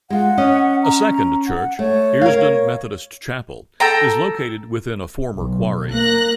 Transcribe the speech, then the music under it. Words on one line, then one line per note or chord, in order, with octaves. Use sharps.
A second church, Earsdon Methodist Chapel, is located within a former quarry.
G#3 F4 F#5
C#4 D#5
A#5
F#5
A3 C#5
A#4 F5
A4 G5 A#5
B1
A#3 F#6 A#6